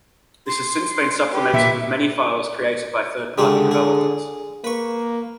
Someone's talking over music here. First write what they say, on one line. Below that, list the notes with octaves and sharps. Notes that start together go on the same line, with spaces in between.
This has since been supplemented with many files created by third party developers.
C6
G4 B4
A#2 E5
C#2 D3 G4 G#4
G#4
A#3 B4 C#6